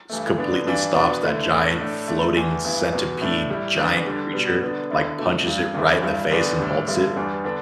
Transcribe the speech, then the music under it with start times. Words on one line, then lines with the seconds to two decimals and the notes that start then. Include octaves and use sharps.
s completely stops that giant, floating centipede giant creature, like punches it right in the face and halts it.
0.10 G2 E3 A3
0.38 D3 B3 D4
0.67 G2 E3 G3 D4
0.94 B2 B3 D4
1.23 D3 A3 E4
1.51 A2 A3 D4
1.79 A2 A3 D4
2.08 D3 A3 D4
2.36 E2 E3 A3
2.65 G2 E3 B3 E4
2.93 E2 B2 B3
3.21 A2 A3 D4
3.49 A2 G3 E4
3.77 E2 E3 B3 D4
4.05 D3 G3 D4
4.33 B2 G3 B3
4.62 D3 B3 D4
4.91 D3 B3 E4
5.19 B2 A3 D4
5.47 G2 G3 D4
5.74 E2 D3 B3 E4
6.03 G2 G3 E4
6.31 E2 D3 B3 D4
6.59 A2 G3 D4
6.88 G2 D3 G3 B3 E4
7.16 E2 E3 G3 B3 D4
7.44 D3 B3 D4